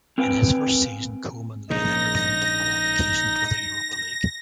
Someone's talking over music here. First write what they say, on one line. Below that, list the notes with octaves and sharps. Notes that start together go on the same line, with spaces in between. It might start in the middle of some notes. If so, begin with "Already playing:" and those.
In his first season, Koeman led Everton to qualification for the Europa League.
C4 A#4 B4 F5 G5 G#5
A#1 G#2 C#3 D#4 A#6